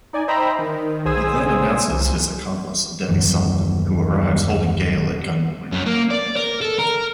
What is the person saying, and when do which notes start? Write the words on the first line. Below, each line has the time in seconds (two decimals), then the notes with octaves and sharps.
He then announces his accomplice, Debbie Salt, who arrives holding Gale at gunpoint.
0.13 D#4 D5 G#5
0.28 C5 D#5 E5 G5 A#5 B5
0.59 D#3
1.05 B1 G#4 C5 G#5 D#6 E6
1.89 C2
3.09 D#1 F#2 E3
5.72 F#2
5.86 A#3
6.11 D5
6.37 A#4
6.61 A4
6.79 A#4